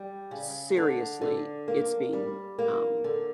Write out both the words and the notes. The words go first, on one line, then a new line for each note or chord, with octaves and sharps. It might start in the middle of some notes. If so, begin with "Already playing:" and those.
seriously, it's being, um
Already playing: G3
C#3
D3 D4
D3
A#3
G3
A#3
D3